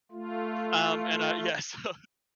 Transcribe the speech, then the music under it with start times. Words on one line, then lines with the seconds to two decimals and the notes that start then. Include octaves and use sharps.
um, and, uh, yeah, so
0.11 A3 F4